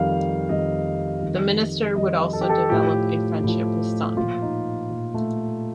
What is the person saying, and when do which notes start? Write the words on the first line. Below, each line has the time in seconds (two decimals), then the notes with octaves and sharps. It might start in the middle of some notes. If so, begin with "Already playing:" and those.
The minister would also develop a friendship with Sun.
Already playing: F2 D#3 G3 F5
0.49 F2 D#3 G3 D#5
1.22 F2 D#3 G3
1.96 F2 D#3 G3 D#5
2.33 A4
2.41 G4
2.49 A4
2.69 A2 F3 G4
3.44 A2 F3
4.17 A#2 F3 F4
4.42 D#4
4.90 A#2 F3
5.14 A3